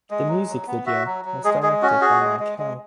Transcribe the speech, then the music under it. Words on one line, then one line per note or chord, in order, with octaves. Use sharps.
The music video was directed by Mike Ho.
G#3
F#3
F#3
B3
F#4 E5
F#3
F#3
G#3 G#4
G#3 G#4
C#4 F#4
F#4 G#4
G#3
G#3
G#3